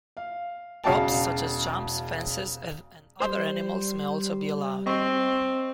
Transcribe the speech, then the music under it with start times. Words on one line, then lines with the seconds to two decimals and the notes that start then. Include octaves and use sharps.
Props such as jumps, fences and other animals may also be allowed.
0.17 F5
0.84 E1 C#3 F#4 F5 G5 A5
3.20 G3 C5
4.86 C4 D#5 C#6